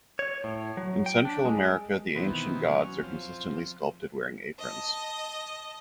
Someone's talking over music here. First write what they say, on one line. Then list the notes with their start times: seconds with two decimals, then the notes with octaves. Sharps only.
In Central America the ancient gods are consistently sculpted wearing aprons.
0.19 C#5
0.44 A2
0.77 F#3
1.06 G5
1.25 D4
1.45 G#3
2.15 B2 D#3 E3 B3 C4
2.64 F#3 C#4 F6
3.03 F3 C4
4.58 D#5 A5